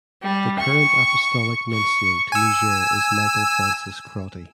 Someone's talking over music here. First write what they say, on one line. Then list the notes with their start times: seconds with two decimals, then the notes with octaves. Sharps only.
The current Apostolic Nuncio to Niger is Michael Francis Crotty.
0.23 G3
0.60 C#6
1.72 C#6
2.32 G#5 E6